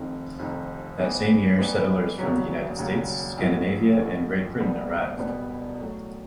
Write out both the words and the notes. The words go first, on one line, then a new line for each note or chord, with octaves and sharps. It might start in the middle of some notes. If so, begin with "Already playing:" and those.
That same year settlers from the United States, Scandinavia and Great Britain arrived.
Already playing: F1 F2 C3 D#3
F1 F2 C3 D#3
E3 G3 B3 D#4
E3 G3 B3 D#4
E1 D#2 C#3 F#3
E1 D#2 C#3 F#3
A1 A2 F3 A3
A1 A2 F3 A3
E1 E2 B2 G3 B3
E1 E2 B2 G3 B3
A2 F#3 A3